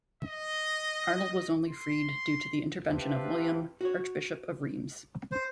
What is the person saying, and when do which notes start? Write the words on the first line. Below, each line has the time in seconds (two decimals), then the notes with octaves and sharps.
Arnold was only freed due to the intervention of William, Archbishop of Reims.
0.23 D#5
1.68 C6
2.88 F3 C4 D4 E4 G4 B4
3.81 F#4 C#5
5.32 C5